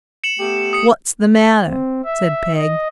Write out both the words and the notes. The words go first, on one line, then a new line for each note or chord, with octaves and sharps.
'What's the matter?' said Peg.
C#7 E7 F#7
A3 B3 G4
D#6 C#7
C4
E5
D#5